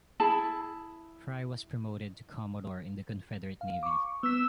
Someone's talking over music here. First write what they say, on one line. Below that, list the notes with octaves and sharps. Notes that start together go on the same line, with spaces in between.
Fry was promoted to Commodore in the Confederate Navy.
E4 G#4 A5 B5
F5
C#6 D6
B3 E6 B6